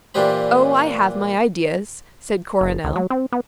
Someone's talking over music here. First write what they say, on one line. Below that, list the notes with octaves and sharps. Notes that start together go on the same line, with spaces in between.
"Oh, I have my ideas," said Coronel.
A#2 E3 D4 G4 C5 B5
F#1
C#2
F#3
C4
B3